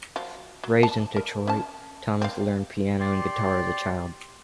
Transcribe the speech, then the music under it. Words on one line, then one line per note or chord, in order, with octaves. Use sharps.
Raised in Detroit, Thomas learned piano and guitar as a child.
F3 F#3
F#3
A5
A#4
C#4 A5
C4 F5
G4 D5 C6